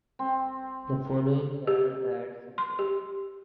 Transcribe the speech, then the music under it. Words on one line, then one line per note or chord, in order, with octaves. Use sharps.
The following year, the e.t.c.
C4
G4
C6
G4